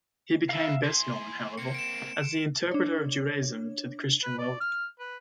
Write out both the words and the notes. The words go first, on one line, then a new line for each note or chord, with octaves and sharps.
He became best known, however, as the interpreter of Judaism to the Christian world.
D#4 B4 E5 F5
E4 G#4 C6
A#3 C4 C#7
D7 E7
D4 C#5
B4
D5
F6
B4